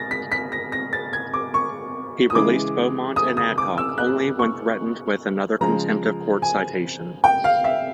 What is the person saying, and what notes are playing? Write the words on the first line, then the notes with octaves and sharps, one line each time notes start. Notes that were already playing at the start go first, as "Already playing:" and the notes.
He released Beaumont and Adcock only when threatened with another contempt of court citation.
Already playing: A6 A#6
B6
B6
A#6
A#6
A6
G#6
D6
C#6
D#6
C#3 E3 G#3 D6
D#6
D#6
D6
E6
F#6
C#6
C#3 F3 G#3 A#5
G#5
G5
F5
E5